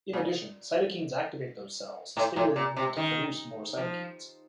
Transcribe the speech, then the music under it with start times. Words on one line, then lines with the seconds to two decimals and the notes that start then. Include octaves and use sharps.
In addition, cytokines activate those cells, stimulating them to produce more cytokines.
0.13 A#2
2.17 A2
2.36 A2
2.56 A#2
2.76 C3
2.97 D#3
3.78 F3